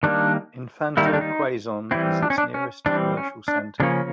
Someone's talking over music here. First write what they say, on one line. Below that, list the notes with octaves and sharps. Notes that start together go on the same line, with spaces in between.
Infanta, Quezon is its nearest commercial center.
D#3 G3 A#3 D4
D#3 G3 A#3 E4
D#4
D4
D#4
E3 G3 C4 E4
D4
C#4
D4
C#4
E3 G3 C4 D4
C#4
D4
C#3 F3 A#3 C#4 D4